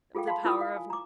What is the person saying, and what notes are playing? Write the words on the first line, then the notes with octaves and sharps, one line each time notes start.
The Power of N
F4 G#4 A4 F5 G5
F5 A5 B5 C6
E4 F4 A#4 B5 D#6
F5
G#5
A#5 D6